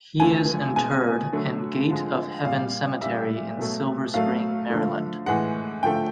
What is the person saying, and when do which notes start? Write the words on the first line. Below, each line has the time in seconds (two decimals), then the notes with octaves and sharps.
He is interred in Gate of Heaven Cemetery in Silver Spring, Maryland.
0.20 D3 F3 A3 G#5
0.76 B2 G#3 G#5
1.32 D3 F#3 A3
1.89 D3 F3 G#3
2.45 A#2 G3 F5
3.01 A#2 G3 E5
3.58 B2 F#3 A3
4.14 A2 F#3 A3 F5
4.70 D3 F3 A3
5.26 A2 E3 G#3 F#5
5.83 D3 F3 A3 G5